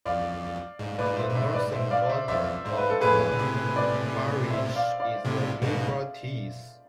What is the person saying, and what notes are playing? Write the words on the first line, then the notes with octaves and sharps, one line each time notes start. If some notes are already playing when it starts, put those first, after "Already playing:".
The northern border of the parish is the River Tees.
F2 D5 F5
G#2
A2 B4 D5
G#2
C5 E5
G#2
C5 E5
B4 D5
C5 E5
D5 F5
C5 E5
F2 C5 E5
G#2 C5
B4
A4
F2 A2 G#4 B4
D3
A2 C3
B4 D5
C5 E5
D5 F5
D5 F5
A2 C3
G#2 B2